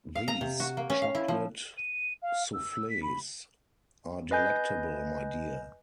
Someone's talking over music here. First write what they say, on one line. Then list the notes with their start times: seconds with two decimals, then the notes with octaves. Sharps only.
These chocolate soufflés are delectable, my dear.
0.15 F5
0.28 A#5
0.41 C3
0.60 F#4
0.77 A#3
0.90 C#4
1.02 F5
1.15 E4
1.28 F3
1.77 D#7
2.22 F5
2.54 E6
2.71 E6
2.89 B6
3.03 B5
4.31 B4 D#5 G#5 G6